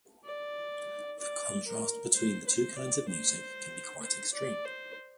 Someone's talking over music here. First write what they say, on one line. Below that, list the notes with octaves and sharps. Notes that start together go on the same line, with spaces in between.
The contrast between the two kinds of music can be quite extreme.
D5
D5
A#4
C5
C5
D5
C5
C5
D5
C5